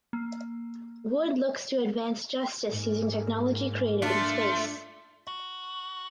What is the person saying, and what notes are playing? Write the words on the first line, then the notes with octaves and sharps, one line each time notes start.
Wood looks to advance justice using technology created in space.
A#3
G#2 A#3
A3 D4 F4
F#4